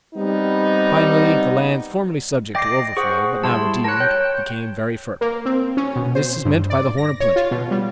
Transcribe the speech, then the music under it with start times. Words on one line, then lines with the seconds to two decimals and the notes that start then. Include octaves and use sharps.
Finally, the lands formerly subject to overflow, but now redeemed, became very fertile, and this is meant by the horn of plenty.
0.15 G3 B3 C4 D#4
2.55 D5 D#5 G5 D6 A#6 C7
2.97 G#4 C5 F#5 C#6
3.44 G3 E4 A5 C6
3.84 A#4 C#5 A5 F#6
4.00 C#5 G5 G6
5.21 A#3
5.45 C4
5.77 C#4
5.96 B2
6.15 C5
6.45 G2
6.70 D5
6.97 A#6
7.20 C#5
7.36 F4
7.51 B2
7.71 G3